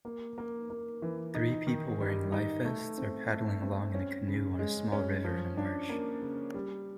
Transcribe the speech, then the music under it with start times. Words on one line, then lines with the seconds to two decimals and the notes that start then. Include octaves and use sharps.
Three people wearing lifevests are paddling along in a canoe on a small river in a marsh.
0.05 A#3
0.38 A#3
0.70 A#3
1.02 E3
1.35 D#4
1.67 D#3
2.00 G3
2.32 D#4
2.65 A3
2.98 C4
3.29 A3
3.62 C4
3.94 C#4
4.28 C#3
4.59 G#3
4.92 C#4
5.24 F3
5.57 D4
5.89 A#3
6.22 C#3
6.54 G3